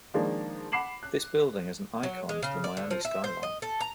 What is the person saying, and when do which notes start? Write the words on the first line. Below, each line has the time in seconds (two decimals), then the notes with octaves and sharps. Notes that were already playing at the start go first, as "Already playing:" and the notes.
This building is an icon to the Miami skyline.
0.14 D#3 F3 G#3 A#3 D4
0.72 F#5 B5 D6 C7 E7 F#7
1.03 F#6
2.03 F#3
2.29 G#3
2.43 C#3
2.64 D5
2.77 D3
2.91 F3
3.05 E5
3.24 C5
3.43 D#5
3.62 A4
3.81 A#5